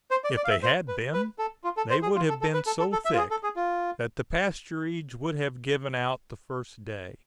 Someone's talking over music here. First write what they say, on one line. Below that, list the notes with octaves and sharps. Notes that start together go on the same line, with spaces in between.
If they had been, they would have been so thick that the pasturage would have given out the first day.
C5
D5
D5
F5
E5
C5
B4
B4
A4
F4
A4
C5
G#4
F4
A4
A4
B4
A4
A4
A4
E5
F4
G#4
A4
G#4
F4